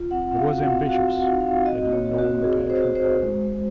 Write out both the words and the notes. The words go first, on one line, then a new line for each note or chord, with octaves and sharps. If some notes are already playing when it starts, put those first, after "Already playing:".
I was ambitious--have you known The passion, father?
Already playing: F4
C4 F#5
C4
F5
F#4
F#5
C4
F#4 F5
C4
F#5
D#4
F5
C4
F#4 D#5
F#4
C#5
F#4
F#4
C4
F#4 G#4
C4
C5
F#4
C5
F#4
G#3
G#3